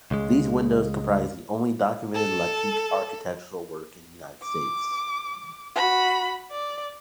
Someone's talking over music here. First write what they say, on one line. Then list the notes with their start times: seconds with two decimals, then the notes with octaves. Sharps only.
These windows comprise the only documented Lalique architectural work in the United States.
0.11 C#2 G#3
2.15 A4
4.43 D6
5.76 F#4 B5
6.51 D5